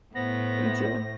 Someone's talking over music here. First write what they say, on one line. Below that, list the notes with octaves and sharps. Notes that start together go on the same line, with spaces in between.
You too.
A2 B3 C5 A#6